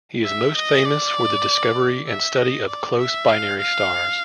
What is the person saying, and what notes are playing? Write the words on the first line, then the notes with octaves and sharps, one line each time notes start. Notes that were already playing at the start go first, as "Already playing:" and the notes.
He is most famous for the discovery and study of close binary stars.
E5
D#5
D5
E5
D#5
D5
E5
F5
F5